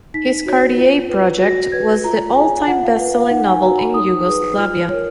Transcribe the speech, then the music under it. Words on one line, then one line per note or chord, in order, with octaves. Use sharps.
His "Cartier Project" was the all-time best-selling novel in Yugoslavia.
D#4 B6
F#4 C#5
F4
B4
F#4 A#6
B4 G#6
F4 A#5
G#4 C#5 G#5
F4 F#5
F5
B4
F5
D#4 F#5
G#5
F#4 C#5 A#5
B5
D#4 D#6
G#4 B4 D#6
F4 F6
A#4 C#5